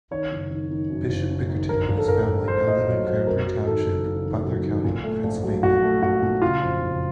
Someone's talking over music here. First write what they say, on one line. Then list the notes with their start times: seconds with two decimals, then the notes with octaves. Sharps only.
Bishop Bickerton and his family now live in Cranberry Township, Butler County, Pennsylvania.
0.11 D#3 C#5
0.31 F#1
0.51 D#3
0.71 D#3
0.90 F#2
1.10 F#1
1.30 F#2
1.49 D#3
1.69 A#1 A#4
1.88 A#1
1.97 A4
2.08 A#1 A#4
2.28 A#1
2.48 A#1 C5
2.68 A#1 D#5
2.87 F#3 C#5
3.07 F#3 C5
3.27 F#2 A#4
3.46 F#3
3.66 D#3 A4
3.86 F#1
4.05 F#1
4.25 D#3
4.45 F#3
4.64 D#3
4.84 A#2
5.04 A3
5.24 A#1
5.43 F#3
5.63 A#2 F#4
5.82 A3
6.02 A#2 F#4
6.22 A#2
6.42 C#3 F4
6.62 F2
6.82 F#1